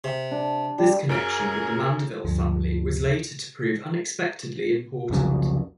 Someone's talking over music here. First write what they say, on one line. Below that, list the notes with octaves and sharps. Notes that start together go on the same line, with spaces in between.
This connection with the Mandeville family was later to prove unexpectedly important.
C3
D4
G3
F#2 C#4 G#4 A#4 D7
D2 G2 D3 F3
C2 F2 C#3 F#3